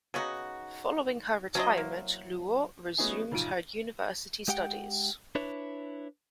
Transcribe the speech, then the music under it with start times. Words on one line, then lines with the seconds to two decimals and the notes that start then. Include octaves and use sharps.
Following her retirement, Luo resumed her university studies.
0.14 C#3 B3 D#4 F#4 D#5 F#5
1.55 F#3 C#4 D4 E4 C5 D#5
1.77 A#3
2.98 F3 A3 B3 C#4 D#4 G#4
3.32 E1 D#2 G#2 F4 D7 D#7
4.48 G#3 G4 F#5 G5
5.35 D4 E4 B4 C#5